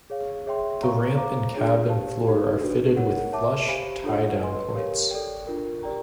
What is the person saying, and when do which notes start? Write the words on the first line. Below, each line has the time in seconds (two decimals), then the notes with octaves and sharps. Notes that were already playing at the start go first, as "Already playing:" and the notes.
The ramp and cabin floor are fitted with flush tie-down points.
0.10 G#4 C#5 F5
0.46 G#4 C#5 E5 G5 C6
0.82 C#5 F5 A#5 C#6
1.17 C5 F5 A#5 D6
1.54 D4 F4 G#4 C#5
1.89 G4 C5 F5 A5
2.25 D#4 G4 C5 F5
2.61 D4 F#4 B4
2.97 A#4 C#5 F#5
3.32 C#5 E5 A5 D6
3.68 G4 C5 F5 G#5 B5
4.04 D4 F4 A4 C#5 F#5
4.40 B4 D#5 G#5 C6
4.75 G4 A#4 C#5 F5
5.11 A4 D5 G5
5.47 D4 F4 A#4
5.83 G4 A#4 D5 G5 A#5